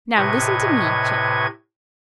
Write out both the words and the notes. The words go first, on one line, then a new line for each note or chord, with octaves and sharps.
Now listen to me, children.
A2 C3 B4 D#5 C#6 G#6